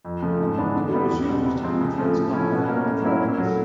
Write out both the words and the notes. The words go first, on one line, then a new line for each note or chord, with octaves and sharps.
It was used in the Transcontinental Traverse.
F2
C#3 F3 A3
G#2
E3 G#3 B3 D4
D3
G3 B3 E4
E2
B2 G3 C4
C3
F3 G#3 C4
C#3
F3 A3
A2
F3 A3 C#4 E4
B2
G3 A#3 C#4
A2
F#3 A#3 C#4 E4
A#2
F#3 A3